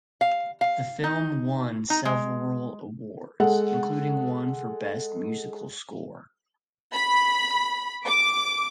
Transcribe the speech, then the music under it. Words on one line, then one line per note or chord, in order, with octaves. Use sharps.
The film won several awards, including one for best musical score.
F5
F5
D#4
D#4
G#3
G#3 A4 F#5
B5
D6